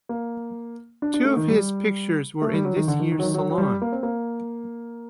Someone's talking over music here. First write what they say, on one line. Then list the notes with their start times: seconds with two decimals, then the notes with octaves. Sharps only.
Two of his pictures were in this year's Salon.
0.09 A#3
1.02 D4
1.14 D4
1.25 A3
1.37 D#3
1.49 G3
2.42 A3
2.54 G3
2.65 F#3
2.76 D#3
2.88 D3
3.00 D#3
3.12 D#3
3.19 F#3
3.23 D#3
3.34 F#3
3.50 F#3
3.58 G3
3.82 A#3
3.92 C4
4.03 A#3